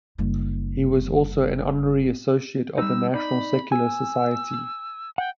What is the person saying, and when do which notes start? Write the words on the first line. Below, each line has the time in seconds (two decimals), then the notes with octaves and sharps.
He was also an honorary associate of the National Secular Society.
0.18 F#1 G3
2.78 G3 D#4 E6
3.14 D#4 D5 B5
3.72 G#5 E6
5.18 F#5 G5